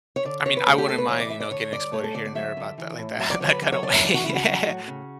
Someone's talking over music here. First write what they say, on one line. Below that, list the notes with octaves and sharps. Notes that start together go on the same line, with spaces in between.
I mean, I wouldn't mind, you know, getting exploited here and there about that, like that in that kind of way.
C#5
D3 D5
E2 C#5
B4
A3 G4
G4
B2 A4
B4
E3 C#5
D5
A2 E5
D5
D3 C#5
G2 D5
A3 C#5
A4
D3 D5
D5
F#3 E5
D3
E3
A2
F#3 E5
D5
D3 C#5
B4
F#3 D5
C#5
D3 D5
E5
E3 D5
F#4
C#3 E4
F#4
F#3 F#4
A2
C#3